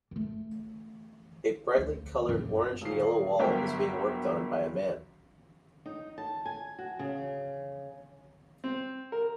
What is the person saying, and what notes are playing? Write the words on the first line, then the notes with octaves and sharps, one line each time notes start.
A brightly colored orange and yellow wall is being worked on by a man.
E3 A3
D2
F#2 A#3
D#1 C7
G1 F#3 F#4 A#4 E5 G5
D#4
A5
G#5
F#4
C#3
C4
A#4